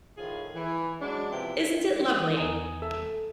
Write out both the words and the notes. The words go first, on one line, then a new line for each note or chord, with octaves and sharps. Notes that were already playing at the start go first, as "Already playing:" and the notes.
Isn’t it lovely?
A2 D#3 F3 F4 G#4
E3
F#3 G#3 D4
C3 F3 B3 E4 G5
D#6
E2 G#5 A#5
A4 E5 E6